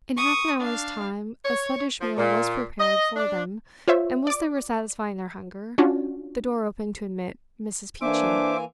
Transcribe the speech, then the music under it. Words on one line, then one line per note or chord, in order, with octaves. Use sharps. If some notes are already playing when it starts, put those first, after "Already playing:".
In half-an-hour's time a sluttish meal was prepared for them, and whilst they were satisfying their hunger, the door opened to admit Mrs. Peachey.
C#6 D#6
D4 F5
C#5
F3
A#2
D#5
D4
F4 C5 C#5 E5
D5 D6
C#4 D4 F4 F#4
E3 A#3 D4 C5 E5 G#5 D6